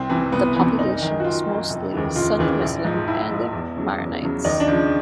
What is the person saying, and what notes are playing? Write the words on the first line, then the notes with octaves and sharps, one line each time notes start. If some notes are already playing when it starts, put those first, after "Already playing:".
The population is mostly Sunni Muslim and Maronites.
Already playing: C2 C4
C3 E3
C2 B3
C3 E3 B3
F#1 D#4
F#2 D#3
F#4
F#1 F4
F#2 D#3
F1
D#2 C#3 E3
F1 F4
D#2 C#3 E3
A#1
G#2 F3
A#1 E4
G#2 F3
E2
C#3 F#3
E2
C#3 F#3
D#2 D#4
D4
C#3 F3